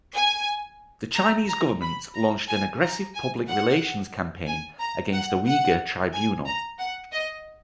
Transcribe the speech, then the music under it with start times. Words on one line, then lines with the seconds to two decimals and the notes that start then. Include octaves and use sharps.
The Chinese government launched an aggressive public relations campaign against the Uyghur Tribunal.
0.14 G#5
1.14 A#5
1.48 A#5
1.81 B5
2.14 A#5
2.47 G#5
2.81 A#5
3.14 G#5
3.47 F#5
4.47 G#5
4.79 A#5
5.13 F#5
5.46 F#5
6.12 G#5
6.46 A#5
6.79 F#5
7.12 D#5